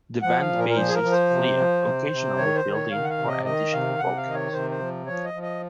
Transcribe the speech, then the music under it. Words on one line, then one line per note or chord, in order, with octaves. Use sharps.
The band's bassist Flea occasionally filled in for additional vocals.
F3 F#5
F5
A#2
A#4
A#4
F3 C5
G#4
A#4
F3
C5
C3
F3
C3
C3
D#3 C#5
C5
D#3
C#5
D#3 F5
F#5
F5
C3
D#5
D#3 D#5
C3 F5
C3 F#5
F5
D#3 D#5
C#5
C3 C5
C5
F3
F3 C#5
D#5
F3
D#5